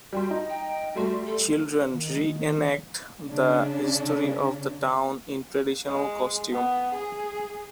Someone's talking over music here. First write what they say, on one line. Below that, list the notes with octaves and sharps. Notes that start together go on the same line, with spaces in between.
Children re-enact the history of the town in traditional costume.
G3 F#4 G5 C6
D#4
G5
G3 A3 F#4 C6
A4
D#3
C#3 C#4 D4
G#3
B3
G#4